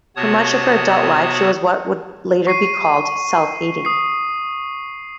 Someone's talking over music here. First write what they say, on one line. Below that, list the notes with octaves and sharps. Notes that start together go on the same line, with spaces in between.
For much of her adult life she was what would later be called self-hating.
C3 B3 F#4 C#5 A5 D#6
C#6 C7 D#7
D#6 C7